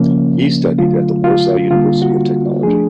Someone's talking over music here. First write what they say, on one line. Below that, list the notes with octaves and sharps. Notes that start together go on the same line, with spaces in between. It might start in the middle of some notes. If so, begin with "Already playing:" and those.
He studied at the Warsaw University of Technology.
Already playing: C#3 F3 A#3 C#4
D3 F#3 A3 F4
F4
D3 G3 A#3 F4
F#4
F3 A3 D4 G#4